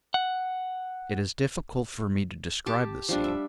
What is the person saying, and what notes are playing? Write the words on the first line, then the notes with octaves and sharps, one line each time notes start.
It is difficult for me to describe the scene.
F#5
G4 A5
F3 G3 D4
E5